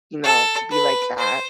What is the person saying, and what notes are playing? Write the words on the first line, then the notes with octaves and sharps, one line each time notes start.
you know, be like that,
A4
B4
C5